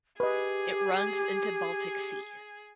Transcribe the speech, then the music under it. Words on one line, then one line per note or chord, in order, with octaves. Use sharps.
It runs into Baltic Sea.
G4 G#4 B4 D#5